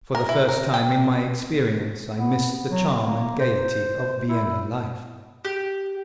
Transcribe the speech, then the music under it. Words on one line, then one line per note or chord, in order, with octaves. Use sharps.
For the first time in my experience I missed the charm and gaiety of Vienna life.
A#4
E4
A#4
G5
B3
F#3
A#3
C5
E4
G4